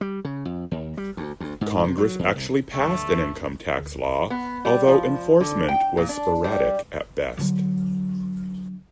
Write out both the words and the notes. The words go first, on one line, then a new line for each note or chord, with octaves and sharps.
Congress actually passed an income tax law, although enforcement was sporadic at best.
G3
C#3
F2
D#2
G3
D2
D2
G#2
C3
F#3
E2
C2
D2 G2 A3
D2
B3
G3
F3
D3
G5
A#2
D4
G3
D3 F#3